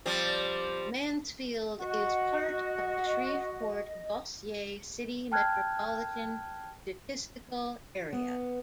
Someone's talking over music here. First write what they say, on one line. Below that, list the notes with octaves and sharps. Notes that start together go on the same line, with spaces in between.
Mansfield is part of the Shreveport-Bossier City Metropolitan Statistical Area.
F3 G3 C4
F#4 D#5
G5 A5 F6 F#6 G#6
B3